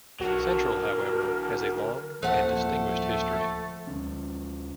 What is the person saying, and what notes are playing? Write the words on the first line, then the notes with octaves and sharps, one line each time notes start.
Central, however, has a long and distinguished history.
B1 D3 F#3 F#4 A#4
D1 F3 A3 A#3 F#5
D2 C#4